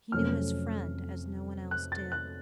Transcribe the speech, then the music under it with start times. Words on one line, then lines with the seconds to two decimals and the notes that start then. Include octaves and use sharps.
He knew his friend as no one else did.
0.12 F2 C3 F#3 A3 C#4 F6
1.71 F#6
1.92 A6
2.12 F#6